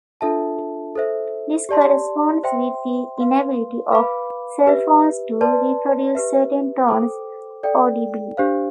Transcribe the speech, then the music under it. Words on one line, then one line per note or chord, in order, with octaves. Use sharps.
This corresponds with the inability of cellphones to reproduce certain tones audibly.
D4 F4 A4 E5 A5
A4 C5 E5
G4 D5 A5 C6
C5 E5 G5 C6
B4 F5 C6
B4 F5 B5 D6
G4 B4 E5
B4 D5 A5 C6
G4 B4 E5
A4 C5 G5 D6
A4 D5 G5
D4 G4 C5 F5